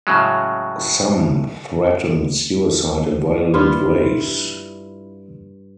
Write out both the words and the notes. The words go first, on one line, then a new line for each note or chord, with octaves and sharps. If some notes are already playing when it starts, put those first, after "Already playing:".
Some threatened suicide in violent ways.
A2 C#3 F#3 G#3
G2 E4 F4